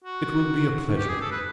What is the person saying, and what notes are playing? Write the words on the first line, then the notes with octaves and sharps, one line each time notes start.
"It will be a pleasure."
F#4
G4
G#4
A4
B4